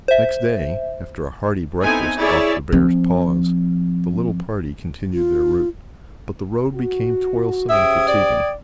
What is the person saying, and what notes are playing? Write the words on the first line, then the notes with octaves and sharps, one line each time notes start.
Next day, after a hearty breakfast off the bear's paws, the little party continued their route; but the road became toilsome and fatiguing.
C5 E5
B3 C4 D#4 E4 A4 G#5
E4 G#4 C#5 D5 E5
F3 C4
F4
F#4
C#3 G4 C5 E5 G5 D#6 G#6
D5